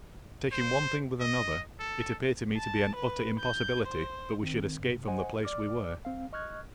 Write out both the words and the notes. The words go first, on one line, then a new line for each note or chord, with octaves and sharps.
Taking one thing with another, it appeared to me to be an utter impossibility that we should escape from the place we were.
C5
D#5
A4
A5
B4
G6
C5
D#3 C4
G2 C3
C5 D#5 F#5 G#5
D5 D6 F6
C4 F5
D#5 C#6 F6 F#6 G#6